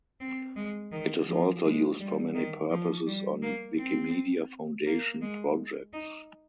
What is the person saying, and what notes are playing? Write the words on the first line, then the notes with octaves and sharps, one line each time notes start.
It is also used for many purposes on Wikimedia Foundation projects.
C4
G#3
D#3
F3
G#3
G3
D#3
F3
G3
A#3
C4
A#3
G#3
D#4